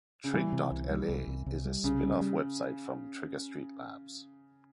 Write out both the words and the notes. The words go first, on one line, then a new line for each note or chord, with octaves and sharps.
Trigg.la is a spin-off website from Trigger Street Labs.
C#3
E3 G3
C3
C2
G3
C2
C2
C2
G3
C2 C#3
G3
G3